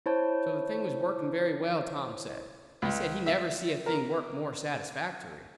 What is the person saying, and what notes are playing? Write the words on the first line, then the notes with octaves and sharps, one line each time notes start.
So the thing was working very well, Tom said; he said he never see a thing work more satisfactory.
E4 C5 C#5 A5
C#2
E5
A#4